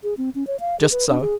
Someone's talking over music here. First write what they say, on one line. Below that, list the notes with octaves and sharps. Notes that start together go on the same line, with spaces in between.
"Just so."
G#4
C4
C#4
C#5
F5
G#4
B4
D4
G#4